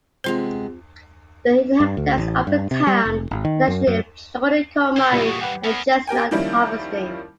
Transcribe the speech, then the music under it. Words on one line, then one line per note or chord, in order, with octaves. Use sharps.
The inhabitants of the town are traditionally employed in coal mining and chestnut harvesting.
C3 G#3 B3 C4 F4 C5
G2
D2
A1
G2
C3
G3
F1
G#1
D#3
F#2
F#2
G4 C5 G#6
C#2 A#2 G3 E4 D#6
G2 E3 F#4
G4 B4 F#5
B3 C#4 A#4 C7
G4 A#4 G5 G#5
D#3 F3 G3 A#3 C#4 E4